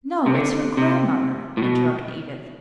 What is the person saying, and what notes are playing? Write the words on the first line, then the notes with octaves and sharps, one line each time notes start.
"No, it's her grandmother," interrupted Edith.
C3
D3
C3
A2
B2